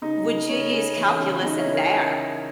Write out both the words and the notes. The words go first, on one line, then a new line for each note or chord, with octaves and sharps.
would you use calculus in there?
C#3 D#4
C#3
C#3 C#4
C#3
E3
C#3
C#3 D#4
C#4 E4
C#3
A#4 C#5